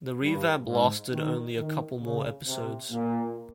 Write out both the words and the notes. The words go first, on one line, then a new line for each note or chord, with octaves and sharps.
The revamp lasted only a couple more episodes.
G2
G#2
D#3
D#3
C#3
C3
A#2